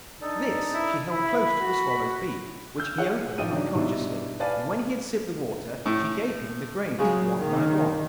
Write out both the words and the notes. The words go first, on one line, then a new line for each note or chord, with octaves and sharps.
This she held close to the swallow's beak, which he opened unconsciously, and when he had sipped the water she gave him the grains one by one.
D4 D#4 A4
E4
E4 B5
F#4
E6 G6
G#4 C#5 F#5
A1 F3 D#4 G5 D#7
G#2 F#3 D4
G#2 B2 D#3 G3 D4 E4
B4 D5 F5 G#5 A5 A6
A2
C#3 F#3 G#3
D#3 A#3